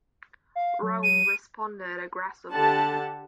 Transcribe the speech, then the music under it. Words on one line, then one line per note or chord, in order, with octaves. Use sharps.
Rome responded aggressively.
F5
F#3
D#7
D3 G4 F#5 A5